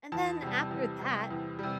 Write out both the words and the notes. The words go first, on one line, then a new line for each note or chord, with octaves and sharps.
And then, after that
E2 A5
C3 G3
E2
C3 G3
E2
C3 G3